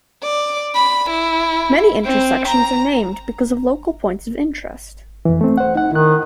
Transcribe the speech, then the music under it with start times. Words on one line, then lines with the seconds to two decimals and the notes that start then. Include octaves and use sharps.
Many intersections are named because of local points of interest.
0.23 D5
0.75 B5
1.10 E4
2.05 C4
2.48 A#5
5.25 F2 E3
5.41 A3 C4
5.58 C5 F#5
5.75 D#4 F#5
5.91 D#3 E4 F#6